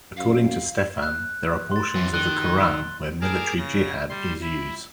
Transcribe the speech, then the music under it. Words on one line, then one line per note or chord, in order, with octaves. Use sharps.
According to Steffen, there are portions of the Qur'an where military jihad is used.
F#2 F5
F#6
C6 A6
F#2 E3
D#3 F#6 G7
G#4 A#4 G#5 A5 D6 F6
C#3 A#6
G3 C6
E4